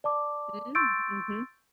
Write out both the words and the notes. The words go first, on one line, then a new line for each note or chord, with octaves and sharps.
Mm, mhm.
D5 A5 D6
C6 C#6 E6 G6 A6 D7